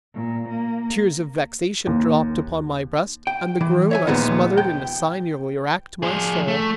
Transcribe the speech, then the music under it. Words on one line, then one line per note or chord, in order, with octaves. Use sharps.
Tears of vexation dropped upon my breast and the groan I smothered in a sigh nearly wracked my soul.
A#2
A#3
D#2
G5
E3
C#5 E5 G#5
D#2 A#2 F3 G#3 B3
G5
F3 G#4
A3